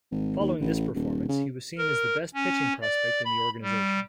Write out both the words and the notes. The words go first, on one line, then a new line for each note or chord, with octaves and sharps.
Following this performance, he was seen as the best pitching prospect in the organization.
G#1
D#2
A1
D#1
C#3
A#4
C#4
D5
B5
G3